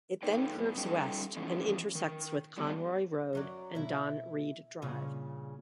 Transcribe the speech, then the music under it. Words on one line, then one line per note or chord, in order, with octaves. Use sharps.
It then curves west and intersects with Conroy Road and Don Reid Drive.
A#3 D#4 A4 B4 D5 G5
F#2 B3
G3 C#4 D#4 A4 D#5 G5
E3 F3 G#3 B3 C#4
D#3
G3 B3 D4 G4 D5
F#2 F#3 D5
B2 E4
G2 A#2 C#3